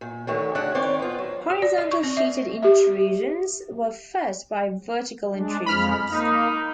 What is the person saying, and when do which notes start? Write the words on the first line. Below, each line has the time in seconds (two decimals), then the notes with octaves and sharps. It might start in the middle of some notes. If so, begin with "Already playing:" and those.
Horizontal sheeted intrusions were fed by vertical intrusions.
0.01 A#2
0.27 D3 D#3 F#3 A3
0.55 D2 C#3 D4 E5 F#5
0.75 D#3 C4 C#5 D5
0.99 B3 F4
1.18 F#3
1.50 F#4
1.62 D5
1.78 D#5
1.91 C#6
2.03 C4
2.17 E5
2.62 G4 E5
5.33 G#3 D4
5.66 F2 F3 G#3 B5 F6
6.11 A#3 D#4